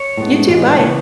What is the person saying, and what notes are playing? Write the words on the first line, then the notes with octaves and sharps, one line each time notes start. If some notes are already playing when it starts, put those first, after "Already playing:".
You too. Bye.
Already playing: C#5
A2 G#3 B3
A2 E3 G#3 B3
C#3 E3 B3 C#5